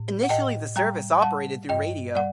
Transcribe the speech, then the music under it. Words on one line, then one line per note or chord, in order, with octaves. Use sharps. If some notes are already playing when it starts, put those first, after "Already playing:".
Initially the service operated through radio.
Already playing: A2
F#5
A2 D#5 G5
G3 G5 A#5
G3 F#5 A5
G2 D#5 G5
G3 D5 F#5